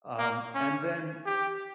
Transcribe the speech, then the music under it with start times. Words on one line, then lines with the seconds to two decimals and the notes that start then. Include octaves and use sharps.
Um, and then
0.19 A#3
0.55 C#4
1.26 G4